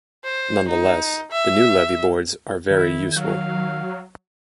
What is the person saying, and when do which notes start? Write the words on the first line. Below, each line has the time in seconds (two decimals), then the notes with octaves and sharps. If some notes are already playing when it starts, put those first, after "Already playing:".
Nonetheless, the new levee boards are very useful.
0.25 C5
0.69 D#4
1.32 E5
2.71 D#3 E4
3.16 F#3 F5